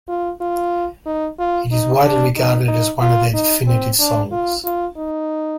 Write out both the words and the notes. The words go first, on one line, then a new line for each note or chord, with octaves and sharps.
It is widely regarded as one of their definitive songs.
F4
F4
D#4
F4
D#4
D4
D#4
D#4
F4
D#4
C4
D4
F4
F4
D#4